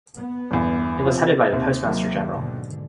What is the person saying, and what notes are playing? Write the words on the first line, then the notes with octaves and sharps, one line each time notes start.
It was headed by the Postmaster General.
B3
G1 E2
C3 F3
D#2 C3
D#3 F#3 A#3
G#2 B2 D3